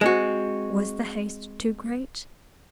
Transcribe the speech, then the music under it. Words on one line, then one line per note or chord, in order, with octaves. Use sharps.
Was the haste too great?
G#3 C4 F#4